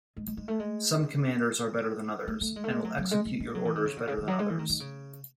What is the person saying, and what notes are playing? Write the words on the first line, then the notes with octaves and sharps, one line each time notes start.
Some commanders are better than others and will execute your orders better than others.
G#3
G#3
G#3
A3
G#3
A3
A3
G#3
A3
G#3
F#3
F#3
G#3
G#3
G#3
F#3
E3
D#3
C#3
B2
C#3
D#3
F#3
G#3
E3
D#3
D#3
C#3